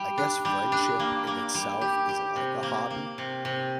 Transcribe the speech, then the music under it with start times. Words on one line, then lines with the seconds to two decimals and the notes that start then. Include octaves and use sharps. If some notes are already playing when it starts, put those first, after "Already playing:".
I guess friendship in itself is like a hobby,
Already playing: G3 G4
0.18 D4
0.45 G3
0.72 D4
1.00 A#3
1.27 A#3
1.54 G3
1.81 G4
2.09 G4
2.36 C3
2.63 A#3
2.90 A#3
3.18 C3
3.45 C3